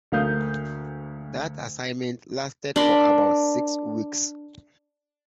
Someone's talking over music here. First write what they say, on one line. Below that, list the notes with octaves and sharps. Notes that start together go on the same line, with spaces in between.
That assignment lasted for about six weeks.
D2 A3 A#3 F5 D#6 G6
D4 A#4 B5 C6